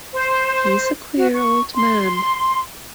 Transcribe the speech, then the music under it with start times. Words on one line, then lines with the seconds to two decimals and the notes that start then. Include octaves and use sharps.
He's a queer old man.
0.12 C5
1.16 F#4
1.33 C#6
1.76 C6